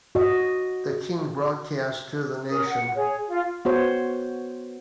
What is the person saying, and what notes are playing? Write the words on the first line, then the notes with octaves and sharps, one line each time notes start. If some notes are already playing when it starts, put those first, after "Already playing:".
The King broadcast to the nation.
F#4 D#5
C#4 A#4 D#6
F#5
G#4 C#5
F4
B3 F#4 C5 C#5